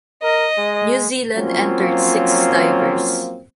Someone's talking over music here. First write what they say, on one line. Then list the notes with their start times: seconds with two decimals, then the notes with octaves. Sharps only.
New Zealand entered six divers.
0.23 A#4 D#5
0.58 G#3
1.36 F3 F#3 A#3 C4 C#4 F4